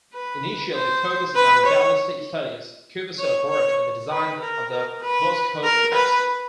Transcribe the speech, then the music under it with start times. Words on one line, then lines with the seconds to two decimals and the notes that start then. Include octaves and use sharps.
Initially focusing on ballistic studies, Kubasov worked on the design of the Voskhod capsule.
0.14 B4
0.75 C5
1.36 B4
1.66 C#5
3.19 C#5
3.50 C#5
4.10 B4
4.41 A#4
5.02 B4
5.64 A#4
5.94 B4